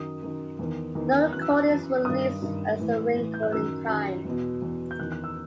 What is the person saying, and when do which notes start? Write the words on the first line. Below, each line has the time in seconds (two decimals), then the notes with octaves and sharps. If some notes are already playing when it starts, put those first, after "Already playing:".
No recordings were released as A Wrinkle in Time.
Already playing: F#2 D#3 D#6
0.23 F#2 D#3
0.59 E2 D#3
0.95 E2 D#3
1.32 F#2 E3 F#6
1.42 E6
1.50 F#6
1.69 F#2 E3
2.05 G2 D#3 D#6
2.42 G2 D#3
2.79 A2 E3
3.16 A2 E3
3.34 G6
3.43 F#6
3.52 F#2 D#3 E6
3.88 F#2 D#3
4.25 E2 B2
4.62 E2 B2
4.91 G6
4.99 E2 D#3 F#6
5.12 F#6
5.24 E6